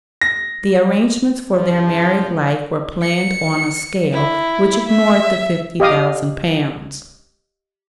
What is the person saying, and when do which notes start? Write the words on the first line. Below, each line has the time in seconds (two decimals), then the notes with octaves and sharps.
The arrangements for their married life were planned on a scale which ignored the fifty thousand pounds.
0.21 A#6
1.53 G2 C#3 F3
3.02 C#7
4.13 E4
4.89 E5
5.80 G4 D#5 F5 D#6